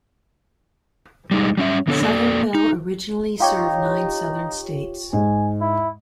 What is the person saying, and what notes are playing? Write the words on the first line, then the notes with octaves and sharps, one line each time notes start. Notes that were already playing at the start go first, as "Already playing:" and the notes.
Southern Bell originally served nine Southern states.
G3 G#3 D#4
G3 C#4 E5
D3 B3 D4 A4 C#5
A#3 A4 D5
D#4
D#4 F4 G4 C#5
G#2 G#5
E4